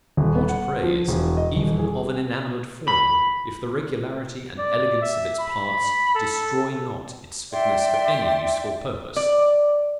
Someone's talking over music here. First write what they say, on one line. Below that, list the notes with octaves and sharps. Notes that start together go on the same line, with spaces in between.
What praise, even of an inanimate form, if the regularity and elegance of its parts destroy not its fitness for any useful purpose!
D#1
B3
F#5
F3
E1
D#5
D#1
G#4
B5
D5
E5
B5
A4
D5 E5 G5 C6
D5